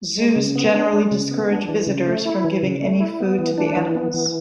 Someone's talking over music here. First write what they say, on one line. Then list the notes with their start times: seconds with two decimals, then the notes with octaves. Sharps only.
Zoos generally discourage visitors from giving any food to the animals.
0.18 G#3
0.36 C#3
0.55 B3
0.74 D4
0.93 G#3
1.11 C#3
1.31 B3
1.49 D4
1.68 E3
1.87 C#3
2.06 A3
2.26 E4
2.44 E3
2.63 C#3
2.82 A3
3.00 E4
3.20 B3
3.39 E3
3.58 D4
3.77 E3
3.95 B3
4.14 E3